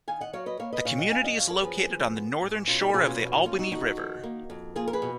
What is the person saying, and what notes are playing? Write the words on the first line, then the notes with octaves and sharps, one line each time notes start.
The community is located on the northern shore of the Albany River.
D#3 F5 G#5
D#5 F#5
F#3 C#5 F5
B4 D#5
A#3 C#5 F5
B4 D#5
A#2 C#5 F5
D#5 F#5
F#2 F5 G#5
D#5 F#5
F#2 C#5 F5
A#4 C#5
F3 G#4 B4
D#2
B3
G#2
B2 C#4 F4
D#4 F#4
A#4
B2 F4 G#4
C#4 F4
F2 C#4
D#4
A#3 C#4 F4
D#4 F#4
F2 D#4 F#4
D#3
A#3
F2
A#3 F4 G#4
A#4
G#4 B4
B2